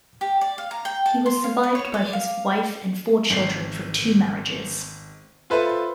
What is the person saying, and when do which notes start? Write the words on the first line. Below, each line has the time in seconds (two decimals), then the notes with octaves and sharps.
He was survived by his wife and four children from two marriages.
0.21 G4
0.41 D5
0.58 F5
0.71 A#5
0.85 G5
1.06 A5
1.26 C6
1.44 F5
1.63 B4
1.75 C#5
1.94 D5
2.13 F5
3.30 G#1 C7
5.50 F4 A4 B4 C5 E5